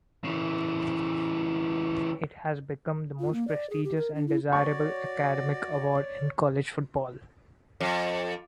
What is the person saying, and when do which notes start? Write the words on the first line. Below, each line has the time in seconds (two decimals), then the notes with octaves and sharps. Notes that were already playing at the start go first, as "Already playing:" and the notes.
It has become the most prestigious and desirable "academic" award in college football.
0.24 C#3 E3
3.19 F4
3.32 A#3
3.47 D5
3.70 G#4
3.84 G4
3.96 A#4
4.14 D4
4.27 E4
4.53 F#4 C#5 D5 C#6
7.81 F2